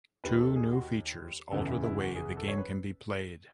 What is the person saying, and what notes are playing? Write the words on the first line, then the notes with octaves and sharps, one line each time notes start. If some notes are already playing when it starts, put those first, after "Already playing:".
Two new features alter the way the game can be played.
D#2 D#3 B4
A4
G#4
F#4
F#1 E2 C#3 E3 A4
E4
E4
F#4
G#4
A4
C#5
B4